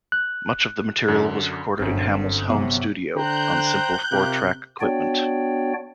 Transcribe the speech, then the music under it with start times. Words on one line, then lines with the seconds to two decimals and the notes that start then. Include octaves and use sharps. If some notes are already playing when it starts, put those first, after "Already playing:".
Much of the material was recorded in Hammill's home studio on simple four-track equipment.
0.12 F#6
1.07 F#2 D3
1.79 G1 F#2 D3 C4
2.50 C3 F#3 B3
3.15 D3 C5 G5 A#5 F#6 G6
4.11 C3 F4 G4 A#4
4.81 B3 D4 F#4 C#5 D5 G5